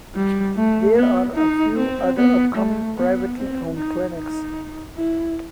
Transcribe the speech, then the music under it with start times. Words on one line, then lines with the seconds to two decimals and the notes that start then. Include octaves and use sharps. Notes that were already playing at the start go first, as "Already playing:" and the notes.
There are a few other upcoming privately owned clinics.
0.16 G3
0.56 A3
0.96 B3
1.35 D#4
1.75 C4
2.16 B3
2.55 A3
2.95 B3
3.37 C4
3.76 D#4
4.16 D#4
4.96 E4